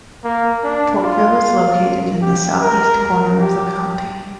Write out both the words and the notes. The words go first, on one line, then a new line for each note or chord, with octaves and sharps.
Portville is located in the southeast corner of the county.
A#3
D4
F4
G4
A#4
G4